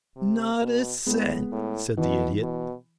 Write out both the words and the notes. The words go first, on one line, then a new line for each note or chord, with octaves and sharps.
"Not a cent," said the Idiot.
C3
B2
A2 G#3 B3
A2
B2 E3
B2